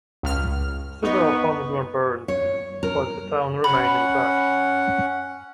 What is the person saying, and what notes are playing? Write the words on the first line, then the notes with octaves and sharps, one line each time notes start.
Several homes were burned, but the town remained intact.
C#2 F6
B3 D#4 C#6
C#5
A#4
C#4 F#5 B5